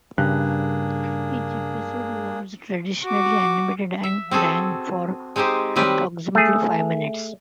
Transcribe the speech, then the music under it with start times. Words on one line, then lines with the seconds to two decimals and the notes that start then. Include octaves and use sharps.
Each episode was traditionally animated and ran for approximately five minutes.
0.18 G2 C#3 A#3 D4 G#4 F#6
3.04 F#4 D6
4.03 E5
4.31 C4 F#4 G#4 A4
5.36 G#3 C4 D#4 G4 C5
5.76 D#3 F#3 G3 C4 B4
6.35 A3 G#4